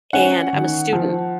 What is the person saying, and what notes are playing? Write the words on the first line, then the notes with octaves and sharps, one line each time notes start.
and I'm a student.
C#4 F#5
D#3
F3